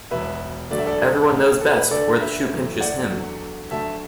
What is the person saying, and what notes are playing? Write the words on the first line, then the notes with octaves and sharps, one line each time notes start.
Everyone knows best where the shoe pinches him.
E1 E2 B2 B4 E5
E1 D2 D3 F#3 A3 D5
E5
A4 D5
A1 A2 A3
A4
B4
D2 D3 A3 A4 D5
B4 E5
F#1 F#2 E3 A3
D5 F#5
E2 D3 F#3 A3
D2 D3 F#3 A3 E5 A5